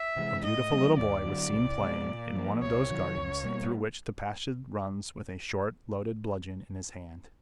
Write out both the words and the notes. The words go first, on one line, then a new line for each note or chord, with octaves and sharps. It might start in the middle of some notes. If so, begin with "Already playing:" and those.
A beautiful little boy was seen playing in one of those gardens through which the passage runs with a short loaded bludgeon in his hand.
Already playing: E5
C3 E3 G#3
A2 D#5
F#3 A3 C4
D#2 D5
D3 F#3
C2
B2 G#3
A#2
F3 A#3
C2 C#5
C3 D#3 F#3
C#2
B2 G3 A#3